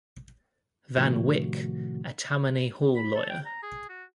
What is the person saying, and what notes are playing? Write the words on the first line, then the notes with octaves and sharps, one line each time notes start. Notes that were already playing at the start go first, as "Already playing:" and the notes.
Van Wyck, a Tammany Hall lawyer.
A2 C3 D#3 F3 A3 F#4
B5
A4
G5
A#5
G#4
F#4